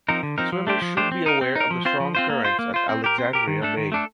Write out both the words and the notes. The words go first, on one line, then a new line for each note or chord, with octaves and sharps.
Swimmers should be aware of strong currents at Alexandria Bay.
F3 C4 D#4 A#4
D3
F3 C4 D#4 A#4
F3
A3 D4 G4 C5
F3
A3 D4 G4 C5
C4
D#4 A#4
C4
D#4 A#4
F3
C4 F4 C5
F3
C4 F4 C5
A#3
F4 C5
A#3
F4 C5
C4
G4 A#4
C4
G4 A#4
D#3
A3 D4 A4
D#3
A3 D4 A4